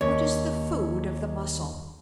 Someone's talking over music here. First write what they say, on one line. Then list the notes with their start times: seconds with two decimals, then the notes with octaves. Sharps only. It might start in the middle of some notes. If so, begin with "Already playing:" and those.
What is the food of the Mussel?
0.01 D#2 C#5